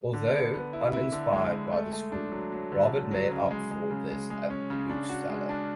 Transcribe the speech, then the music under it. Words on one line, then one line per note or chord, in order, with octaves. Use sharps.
Although uninspired by the school, Robert made up for this at the bookseller.
D3
B3
B3
E4
E4
D3
G#3
G#3
A3
A3
D4
F#3
F#3
D3
F#3
F#3
C#3
G#3
G#3
C#3
G#3
G#3
C#4
C#3
D4
F#4
G#3
D4